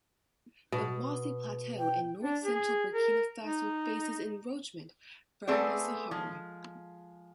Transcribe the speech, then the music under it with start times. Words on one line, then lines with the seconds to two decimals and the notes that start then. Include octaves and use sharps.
The Mossi Plateau in north central Burkina Faso faces encroachment from the Sahara.
0.72 B2
1.79 G5
2.23 D4
2.44 G#4
2.94 A#4
3.43 D#4
5.47 A3 B3 C4 G#4 A4 D5
6.11 F3 G#3